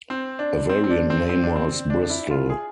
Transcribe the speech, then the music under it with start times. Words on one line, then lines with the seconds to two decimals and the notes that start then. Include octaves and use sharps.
A variant name was "Bristol".
0.10 C4
0.39 D4
0.69 C4
0.84 C4
0.90 D4
1.10 C4
1.29 C4
1.43 D4
1.56 C4
1.90 D4
2.01 D4
2.10 E4
2.31 F4
2.50 G#4